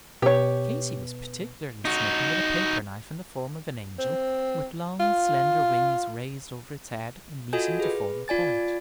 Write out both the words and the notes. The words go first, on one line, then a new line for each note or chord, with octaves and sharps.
Katy was particularly smitten with a paper-knife in the form of an angel with long slender wings raised over its head and meeting to form a point.
B2 G4 C#5
D#4 F#4
C4
F4
F4 F#4 A4 D#5 G#5 G6
G#4 B4
F4 D5 G#5 A6